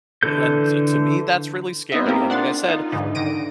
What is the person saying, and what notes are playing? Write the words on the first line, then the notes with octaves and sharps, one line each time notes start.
and to to me that's really scary, and, like I said,
D3 E3 A4 G6
B3 C4 D#4 D#5 E5
A#3 C4 E4 F4 G4 A#4
D4 F#5 C6 A6
D#4 F4
G#2 D3 E3 D#4
D3 D#3 A#6 D7 D#7